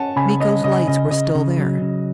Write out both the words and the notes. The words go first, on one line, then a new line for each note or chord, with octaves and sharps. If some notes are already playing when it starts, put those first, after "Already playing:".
Miko's lights were still there.
Already playing: C#4 F#5 A5
C#3 G#5 B5
C#4 D#5
C#3 D#5
C#3 D#5
C#3 D#5
C#3
F#3
C#3